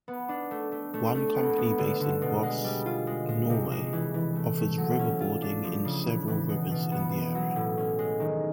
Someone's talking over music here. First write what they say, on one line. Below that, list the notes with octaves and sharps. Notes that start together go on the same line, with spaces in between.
One company based in Voss, Norway, offers riverboarding in several rivers in the area.
B3
D4
A3
A3
A3
A3
B3
B3
D3
D3
B2
G#3
G3
F4
G#3
G#3
C3
G#3
E3
E3
A3
A3
F#3
C#4
F4
D4
F3
C#3
E3
E3
B2
B2
B3
B3
F#3
A2
C#4
G#3
D#3